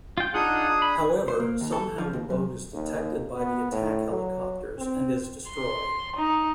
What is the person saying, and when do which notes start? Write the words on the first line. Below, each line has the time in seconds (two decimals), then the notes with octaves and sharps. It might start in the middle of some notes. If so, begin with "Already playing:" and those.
However, somehow the boat is detected by the attack helicopters and is destroyed.
0.18 F4 G5
0.34 D4 D#4 F4 G#4 F#5 D#6
0.82 B5
1.28 C5
1.40 A#3
1.61 D#2
1.73 A4
1.98 F3
2.13 D#2
2.30 F#2
2.73 D#2
3.36 B3
3.72 A2
4.10 F#3
4.78 C4
5.49 C6
6.16 D#4